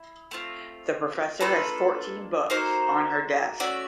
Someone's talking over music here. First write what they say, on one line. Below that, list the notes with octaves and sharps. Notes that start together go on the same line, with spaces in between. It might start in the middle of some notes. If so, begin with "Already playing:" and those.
The professor has fourteen books on her desk.
Already playing: E4
A3 C4 F4
A#3 D4 F4 G#4 A4 B4
A#3 D#4 F#4 A4 A#4 C5
A3 C#4 F#4 D5 E5